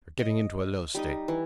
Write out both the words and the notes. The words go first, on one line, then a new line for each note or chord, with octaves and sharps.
You're getting into a low state.
D#5
G3 D#4 D#5
E3